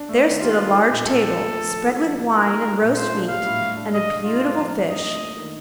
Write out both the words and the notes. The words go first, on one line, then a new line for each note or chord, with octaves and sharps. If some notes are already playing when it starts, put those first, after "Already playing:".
There stood a large table, spread with wine and roast meat and a beautiful fish.
Already playing: D4
A3
D#3
F4 G4
D4
G3
A#2
A#2 A4
D4
A3
F3
F3
D#4
F3
C3
D#4 A#4
A#3
G3
A#2
F4 C5
D4
G3 F5
A2
A2
D4
G3 D#5
C3
D#4 F4
C4
F3
D3
D3 D#5
A3
A#3
D#3